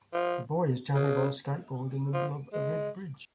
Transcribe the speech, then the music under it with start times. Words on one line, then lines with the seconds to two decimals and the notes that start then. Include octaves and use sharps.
A boy is jumping on skateboard in the middle of a red bridge.
0.14 F3
0.94 C#3
2.14 F3
2.53 G#3